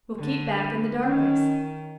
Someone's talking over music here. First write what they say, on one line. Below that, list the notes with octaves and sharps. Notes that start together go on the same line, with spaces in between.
We'll keep back in the darkness.
D3
D#3 C#4